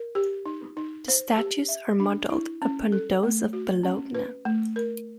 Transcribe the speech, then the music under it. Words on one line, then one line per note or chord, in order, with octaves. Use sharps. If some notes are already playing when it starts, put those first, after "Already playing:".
The statutes are modelled upon those of Bologna.
Already playing: A#4
G4
D#4
D#4
C5
G4
E5
D4
E4
C#4
A4
A3
F#4
C#4
B4
A3
A#4